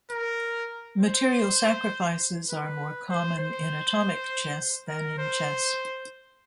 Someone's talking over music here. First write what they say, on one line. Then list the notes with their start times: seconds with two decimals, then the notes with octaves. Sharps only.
Material sacrifices are more common in atomic chess than in chess.
0.11 A#4
1.01 C5
2.50 B4
3.09 C5
3.40 C5
4.89 A#4
5.19 C5